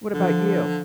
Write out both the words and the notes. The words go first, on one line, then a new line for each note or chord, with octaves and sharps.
What about you?
D3 F3